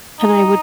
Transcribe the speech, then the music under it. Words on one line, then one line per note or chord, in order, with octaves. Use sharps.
and I would
D#4